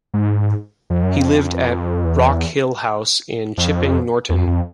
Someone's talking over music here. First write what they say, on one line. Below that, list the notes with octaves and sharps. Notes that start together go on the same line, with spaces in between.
He lived at Rock Hill House in Chipping Norton.
G#2
F2
F#2
F2
E2
F2
E2
F2
F2